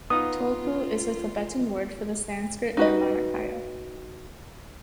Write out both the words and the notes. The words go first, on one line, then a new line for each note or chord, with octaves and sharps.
Tulku is the Tibetan word for the Sanskrit "nirmanakaya".
B3 D#4 F4 F5 D#6
D#4 F#4 B4 D#5